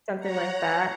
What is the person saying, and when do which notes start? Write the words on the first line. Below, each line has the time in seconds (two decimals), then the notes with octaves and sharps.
something like that
0.19 C#5 F#5 A#5